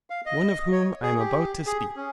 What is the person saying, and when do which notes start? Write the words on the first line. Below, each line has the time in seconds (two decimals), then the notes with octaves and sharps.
One of whom I am about to speak.
0.10 F5
0.26 D#5
0.72 C#5
1.03 G#4
1.19 G4
1.66 G#4
1.96 C#4